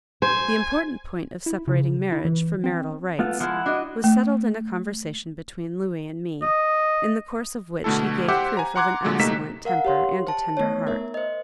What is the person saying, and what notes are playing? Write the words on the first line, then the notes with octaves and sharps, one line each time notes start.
The important point of separating marriage from marital rights was settled in a conversation between Louis and me, in the course of which he gave proof of an excellent temper and a tender heart.
C5 G#5
E4
C#3
E4
E3
C4
A3 B3 F4
F3 G#3 E4 F#5
D4 F#4 D#5
A3
D#5
B2 D3 A3 E4 A4
G4 C5 E5 F#5 C6 D6
G#5 A#5
F#5 A#5 C6 D6 F#6 G#6
A#2 D3 F#3 G#3
C3 A3 A#3 D#4 B6 E7
A#4 F5 F#5
G4 C#5 C6
C5 A5
A3 B3 D#4 C#5
A#4 E5
C5 D#5